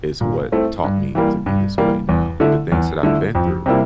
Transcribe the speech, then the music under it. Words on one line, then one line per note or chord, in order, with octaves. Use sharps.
is what taught me to be this way now, the things that I've been through,
A#2
A3 C4 E4
G2
E3 G3 A#3
G2
E3 G3 A#3
E2
D3 A3 E4
E2
D3 A3 E4
F2
C3 G3 A#3 E4